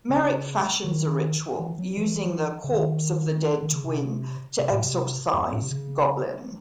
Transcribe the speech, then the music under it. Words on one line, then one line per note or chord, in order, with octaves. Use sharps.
Merrick fashions a ritual, using the corpse of the dead twin, to exorcise Goblin.
C#3
D#3
E3
F#3
E3
C#3
D#3
D#3
C#3
C3
C3
A2
C3
F#2
A2
C3
C#3